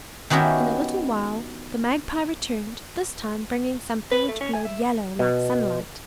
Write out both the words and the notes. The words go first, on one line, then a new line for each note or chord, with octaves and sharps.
In a little while the Magpie returned, this time bringing something which glowed yellow like sunlight.
D#3 B3 C#4 F#4 G4 E5
B4
A3
C#4
G#5
E5
B2